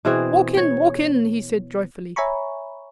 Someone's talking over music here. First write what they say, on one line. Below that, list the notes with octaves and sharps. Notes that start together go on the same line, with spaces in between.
"Walk in, walk in," he said joyfully.
B2 E3 C4 G#4
C#5
C#5 E5 G#5 A#5 B5 C#6